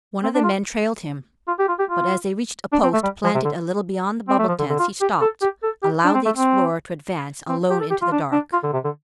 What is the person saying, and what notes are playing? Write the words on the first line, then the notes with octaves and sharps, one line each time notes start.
One of the men trailed him, but as they reached a post planted a little beyond the bubble tents he stopped, allowed the explorer to advance alone into the dark.
C4
D4
F4
F4
G4
F4
G4
F4
D4
C4
A3
G3
F3
C3
D3
C4
A3
F3
D3
D3
F4
G4
A4
G4
A4
G4
D4
C4
A3
C4
C4
G4
A4
G4
F4
D4
D4
F4
D3
C3
D3